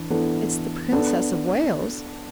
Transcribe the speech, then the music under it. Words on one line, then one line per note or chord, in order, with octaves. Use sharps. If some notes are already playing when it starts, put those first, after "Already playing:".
"It's the Princess of Wales."
Already playing: E3 D4
E3 B3 D4 A4
B3 D4 A4